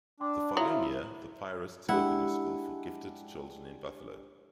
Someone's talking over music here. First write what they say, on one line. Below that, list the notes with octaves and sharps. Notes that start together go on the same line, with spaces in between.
The following year, the Piarists opened a School for Gifted Children in Buffalo.
D4 G5 C6 D6
F#3 E4 F4 E5 A#5 D#6
G#3 D4 E4 G4 F#5